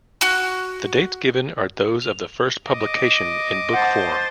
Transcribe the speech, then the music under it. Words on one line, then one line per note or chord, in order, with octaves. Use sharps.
The dates given are those of the first publication in book form.
F#4 F#6
F7
D#5 D6
C5 F#5 A5